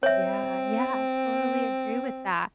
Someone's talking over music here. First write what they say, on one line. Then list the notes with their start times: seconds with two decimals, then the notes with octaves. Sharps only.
yeah yeah, I totally agree with that,
0.03 C4 C#5 E5